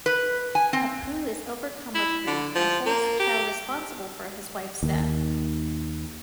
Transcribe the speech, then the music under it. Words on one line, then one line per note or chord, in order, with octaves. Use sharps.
Apu is overcome with grief and holds the child responsible for his wife's death.
B4
G#5
C4
E4
D3
F3
A#3
G4
D#2 D#3